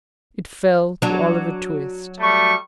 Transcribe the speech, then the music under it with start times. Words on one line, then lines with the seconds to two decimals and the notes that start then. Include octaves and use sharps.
It fell to Oliver Twist.
1.02 F#3 D4
2.19 G3 A3 C#6